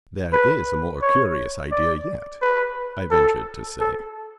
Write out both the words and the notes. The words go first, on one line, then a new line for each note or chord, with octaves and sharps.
"There is a more curious idea yet," I ventured to say.
B4
C#5
D5
B4
A4
A4